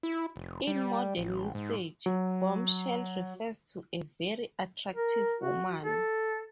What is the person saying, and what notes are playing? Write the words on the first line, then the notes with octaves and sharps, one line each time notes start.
In modern usage, bombshell refers to a very attractive woman.
E4
F1
G3
A1
G#2
F#3
A#4
F#4
A4